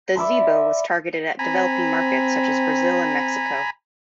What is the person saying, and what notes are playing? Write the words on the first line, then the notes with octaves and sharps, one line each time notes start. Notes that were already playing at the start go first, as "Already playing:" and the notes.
The Zeebo was targeted at developing markets such as Brazil and Mexico.
D5 E5 B5 C6
C4 G#5 A#5 B5